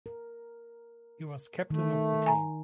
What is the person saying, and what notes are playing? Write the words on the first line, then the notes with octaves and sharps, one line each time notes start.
He was captain of the team.
A#4
D#3 A3
G#5 A#5